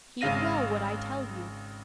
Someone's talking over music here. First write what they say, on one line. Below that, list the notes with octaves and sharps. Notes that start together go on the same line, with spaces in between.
Heed well what I tell you.
G#1 C#3 F5 A#6 D#7